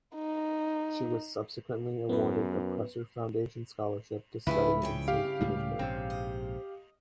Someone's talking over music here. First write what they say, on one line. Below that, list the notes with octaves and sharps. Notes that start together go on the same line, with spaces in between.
She was subsequently awarded a Presser Foundation Scholarship to study in Saint Petersburg.
D#4
F#2 B3 B4
C#2 G2 F3 B3 E4 G4 G#4
C#3 C#5 G5
G4 F5
C#2 A2 G3
A#1 G#2 C3 C4
D#5